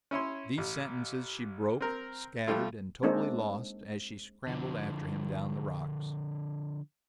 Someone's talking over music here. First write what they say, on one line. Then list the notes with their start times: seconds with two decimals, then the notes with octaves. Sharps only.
These sentences she broke, scattered, and totally lost as she scrambled after him, down the rocks.
0.11 C#4 E4 C#5 C6
0.58 A1
1.80 C4 A#4
2.48 F3 G3 A3 F4
3.03 G#3 A#3 C4 D4 D#4
4.47 D3 F3